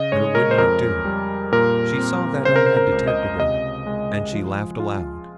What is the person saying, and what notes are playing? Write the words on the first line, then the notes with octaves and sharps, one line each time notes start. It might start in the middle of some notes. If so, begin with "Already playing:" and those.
But it would not do: she saw that I had detected her, and she laughed aloud.
Already playing: C#3 D#5
G#3 C#5
A#4
C5
F2 A#4
G3
A#2 A#4
C4
C#3 C5
A#4
C5
A#4
C#2
D#5
C3 D#5
G#3
F3
F4